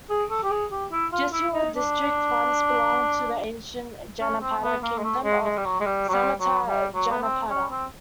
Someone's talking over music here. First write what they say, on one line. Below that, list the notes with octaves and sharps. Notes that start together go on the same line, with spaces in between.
Jessore district once belonged to the ancient Janapada kingdom of Samatat Janapada.
G#4
A4
G4
G#4
G4
E4
F4
E4
D#4
D4
C#4
C4
B3
A#3
G#3
A3
G#3
G#3
G3
F#3
G#3
G3
F#3
G3
F#3
G3
F#3
B3
C4
C#4
C4